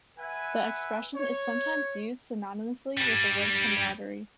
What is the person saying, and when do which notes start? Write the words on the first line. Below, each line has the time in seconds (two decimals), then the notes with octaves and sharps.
The expression is sometimes used synonymously with the word camaraderie.
0.18 B4 E5 F#5 G#5
1.15 C#5
2.97 G3 D4